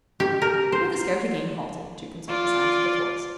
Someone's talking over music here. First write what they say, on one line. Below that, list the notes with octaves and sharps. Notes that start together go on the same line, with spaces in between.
Here the scout again halted, to consult the signs of the forest.
G4
A#4
C5
F4 D5